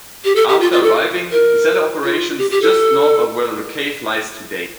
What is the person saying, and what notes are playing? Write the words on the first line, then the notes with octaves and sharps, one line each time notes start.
After arriving, he set up operations just north of where the cave lies today.
G4
A4
G4
F4
F4
A4
A#4
F4
G4
G4
A4